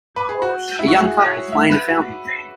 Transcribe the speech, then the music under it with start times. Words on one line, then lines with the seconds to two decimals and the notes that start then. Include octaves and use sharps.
A young couple play in a fountain.
0.16 B4
0.29 G#4
0.42 F#4
0.79 E4
0.88 F#4
0.97 G#4
1.25 C#5
1.52 E5
1.70 B4
1.88 F#4